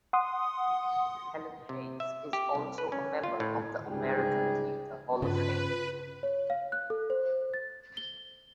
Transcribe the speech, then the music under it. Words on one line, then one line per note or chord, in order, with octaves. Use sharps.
Helen Hayes is also a member of the American Theatre Hall of Fame.
F#5 C6 D#6
C3
E5
G4
C2
B4
C#4
F4
A2
C#2 G#2 C3 G3 G#4 G5
G2 C#3 F4 B4
C#5
F5
F#6
A4
C5
A6
G7